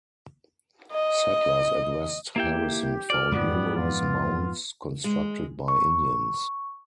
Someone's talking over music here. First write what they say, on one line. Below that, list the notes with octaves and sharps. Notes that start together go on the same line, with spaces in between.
Settlers at West Harrison found numerous mounds constructed by Indians.
D#5
A#3 E4 G4 G5
D2 D5 F6
F2 G#2 F3 G3 B3
B3 F4
G#3
C#6